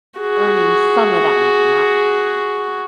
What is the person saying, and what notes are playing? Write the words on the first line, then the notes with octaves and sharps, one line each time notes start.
earning some of that money, not,
F#4 G#4